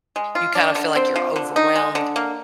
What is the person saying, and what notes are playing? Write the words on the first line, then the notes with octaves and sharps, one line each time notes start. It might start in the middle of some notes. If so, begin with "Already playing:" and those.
you kind of feel like you're overwhelmed
G#3
F4
D4
D3
C4
F3
D3
D#4
G#3
D3
A#3